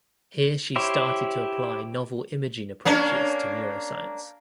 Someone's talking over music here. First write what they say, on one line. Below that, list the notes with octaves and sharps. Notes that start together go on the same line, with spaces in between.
Here she started to apply novel imaging approaches to neuroscience.
E4 G4 C5 C#5
A#3 C#4 D4